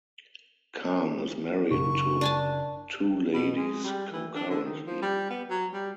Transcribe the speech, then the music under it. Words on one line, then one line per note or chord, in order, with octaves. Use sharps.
Khan is married to two ladies concurrently.
F#1 C#6
D4 G#5 A5
B2
G#3
G3
E3
D4
D3
D#3
F3
G3
B3
F#3
G3